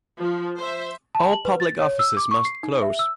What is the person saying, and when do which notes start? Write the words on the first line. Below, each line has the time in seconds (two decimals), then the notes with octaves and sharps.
All public offices must close.
0.20 F3
0.58 C5 E5
1.15 A5
1.33 F#7
1.45 B4
1.60 A6
1.79 C#5
1.99 E6
2.17 D6
2.31 C#6
2.45 C7
2.63 D#4
2.82 E5
2.99 E6